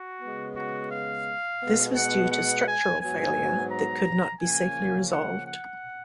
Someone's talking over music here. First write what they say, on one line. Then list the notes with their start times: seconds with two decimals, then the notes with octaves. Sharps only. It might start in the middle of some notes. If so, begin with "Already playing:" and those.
This was due to structural failure that could not be safely resolved.
Already playing: F#4
0.22 C#3 G#3 B3
0.56 F#4
0.92 F5
1.62 B2 G#3 B3
1.96 F#5
2.31 F#5
2.66 G#5
3.01 G#2 F#3 B3 G#5
3.71 A#5
4.41 C#3 F3 A#3 C#4 G#5
5.11 F#5
5.46 F#5